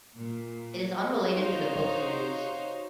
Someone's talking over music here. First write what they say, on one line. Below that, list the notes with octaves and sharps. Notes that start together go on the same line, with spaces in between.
It is unrelated to the book series.
A#2
D#4 F#4 C5 C#5 F5